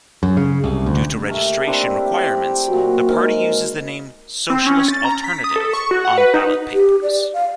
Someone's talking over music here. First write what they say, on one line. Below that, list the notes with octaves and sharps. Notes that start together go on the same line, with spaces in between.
Due to registration requirements, the party uses the name "Socialist Alternative" on ballot papers.
F#2
C#3
C2
D2
A3 G4 A#4 E5
C4 D4 E4
A#2 F#3 F#4
G#2 A#4
C4
C#4
A6
A#5
B6
D#6
A4
C#6
F#4
F#5
B4
D#4
G4
D5
F5